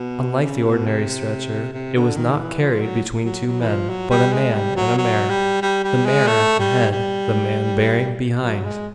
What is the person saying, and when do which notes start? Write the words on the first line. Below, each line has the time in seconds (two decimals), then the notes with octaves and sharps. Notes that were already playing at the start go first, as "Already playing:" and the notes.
Unlike the ordinary stretcher, it was not carried between two men; but a man and a mare--the mare at the head, the man bearing behind.
Already playing: B2
0.44 C#3
0.65 B2
0.86 C3
1.73 C3
1.95 D3
2.17 D#3
2.38 E3
2.60 F3
2.81 F#3
3.25 F#3
3.47 F#3
3.61 E3
3.68 F3
3.90 F#3
4.11 G3
4.33 G#3
4.54 G3
4.76 F#3
4.97 F#3
5.30 G3
5.62 G3
5.84 G3
6.06 G#3
6.27 A3
6.59 G3
6.92 G3
8.43 F#3
8.65 G#3